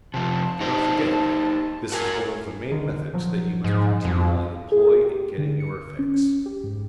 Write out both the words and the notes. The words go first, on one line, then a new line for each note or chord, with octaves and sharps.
Do not forget: this is one of the main methods that you must continually employ in getting your effects.
C3 F3 A5
D#4 G4 C5
F#4 A#4 G#5
C2 D3 D#3
A#2 F3 F#3
G#2
F2
G#4
G4
D3
C#7
C#4
G4
G#2